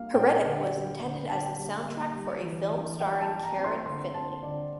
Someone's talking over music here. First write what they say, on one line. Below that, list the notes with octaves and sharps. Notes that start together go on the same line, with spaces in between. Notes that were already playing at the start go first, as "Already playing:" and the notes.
"Heretic" was intended as the soundtrack for a film starring Karen Finley.
Already playing: G3 A#3 F5
A#2 G5
D3
D3
D3
D3 A5
G3
A#3
G3
E3
E3
G3 G5
A5
G3
A#5
C4
C6
D3 C6
C4 A5
D3 D5